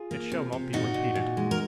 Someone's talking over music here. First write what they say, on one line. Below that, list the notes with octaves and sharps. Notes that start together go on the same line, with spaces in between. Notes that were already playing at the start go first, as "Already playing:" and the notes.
'It shall not be repeated.
Already playing: F4 G#4
A#3
C3
C3
A#2 D#4 F#4
A#2
A#2
G#3
A#4